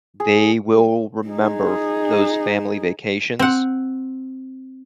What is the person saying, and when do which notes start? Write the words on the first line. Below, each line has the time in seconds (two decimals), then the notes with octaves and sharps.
they will remember f those family vacations,
0.20 G#4
1.27 D#4 G#4
3.39 C4 F#5